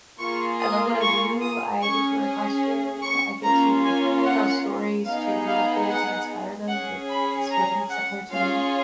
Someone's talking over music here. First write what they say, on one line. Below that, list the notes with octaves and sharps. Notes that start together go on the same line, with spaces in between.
I love what I do, I get to wear a costume, I get to tell stories to little kids and inspire them with disabilities similar to me
A#3 F4 G#4 C#6
D#6
C#6
D#6
C#4 G#4 C#6
C#6
A#3 C#4 F4 A#5
G#5
F#5
B3 D#4 G#4 F5
F5
F#5
C#4 G#4 F#5
B5
A#5
F#5
C#4 F4 G#4 F5